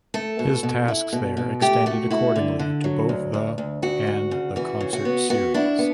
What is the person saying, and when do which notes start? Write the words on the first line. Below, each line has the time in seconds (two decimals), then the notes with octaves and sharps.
His tasks there extended accordingly to both the and the concert series.
0.14 A3 A4
0.39 B2
0.63 B2
0.88 E4
1.13 B2
1.37 B2
1.61 A3 G4
1.86 A3 F#4
2.11 E4 F#4
2.36 D3
2.59 D3
2.84 F#3
3.09 D2
3.34 D2
3.58 D2
3.82 D2 F#4
4.07 D2
4.31 C#3
4.56 E3 F#4
4.81 C#3
4.93 F#4
5.05 B3
5.30 B3 F#4
5.54 D4 E4
5.79 B3